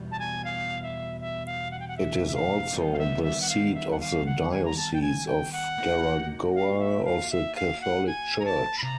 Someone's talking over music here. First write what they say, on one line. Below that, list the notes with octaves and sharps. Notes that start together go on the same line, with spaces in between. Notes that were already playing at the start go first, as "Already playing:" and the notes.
It is also the seat of the Diocese of Garagoa of the Catholic Church.
Already playing: E2 B2 G3
A5
G#5
F5
E5
E5
F5
F#5
G5
F#5
E5
E5
F5
D#3 G3 B3 D#4
F5
E5
E5
F#5
F5
E5
F#5
F5
F#5
G#5
A#5
A5
G5
G#5
G5
F#5
A#3 D#4 F#4
F5
E5
F5
E5
F5
F#5
G#5
A#5
A5
B5
C3 A#5